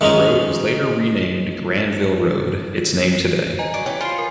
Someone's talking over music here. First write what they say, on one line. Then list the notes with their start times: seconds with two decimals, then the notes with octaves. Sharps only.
The road was later renamed Granville Road, its name today.
0.01 D#3 G#3 C#4 D#4
3.59 D#5 G#5 A#5
3.74 F#3 D5 D7
3.86 E3 C#4 G4
4.00 F4 B4 C5 G#5 C7
4.16 A#4 C#7